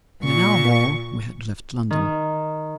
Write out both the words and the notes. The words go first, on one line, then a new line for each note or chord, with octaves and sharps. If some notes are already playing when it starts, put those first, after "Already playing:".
In an hour more we had left London.
A#2 C#6
D#3